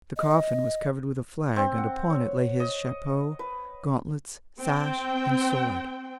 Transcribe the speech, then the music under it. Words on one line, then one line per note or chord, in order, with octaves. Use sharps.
The coffin was covered with a flag, and upon it lay his chapeau, gauntlets, sash, and sword.
D#5
C4
F#5
C#5
D#5
B4
C4 G5